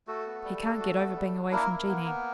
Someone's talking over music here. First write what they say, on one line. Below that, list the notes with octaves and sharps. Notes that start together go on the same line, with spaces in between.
He can't get over being away from Jeanie.
A3 F#4 A4
B3
G3
D4
F#4
B3
G3
D4
A#3 E4 A#4
E4
B3
B3